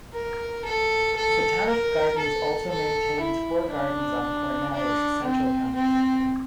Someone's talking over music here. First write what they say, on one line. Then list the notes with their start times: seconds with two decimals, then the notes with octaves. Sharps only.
The Botanic Gardens also maintains four gardens on Cornell's central campus.
0.14 A#4
0.64 A4
1.16 A4
1.67 A#4
2.18 A4
2.69 A4
3.20 E4
3.71 D4
4.73 D4
5.24 C4
5.75 C4